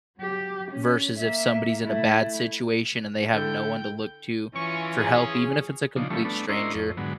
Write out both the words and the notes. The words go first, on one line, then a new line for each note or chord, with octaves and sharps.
versus if somebody's in a bad situation and they have no one to look to for help even if it's a complete stranger.
F#3 G4
C#4
A#3 E5
A3 E4
D3 E4 A4 G5 G6
E3 C#4 F4 C#6
G#4
C#3 F3 D4 D#4
E3 F3 G3 A3 C#4
A3 B3 D4
C#4 D4 E4 A#4 C5 D#5
F2
G#2 D3 F#3 B3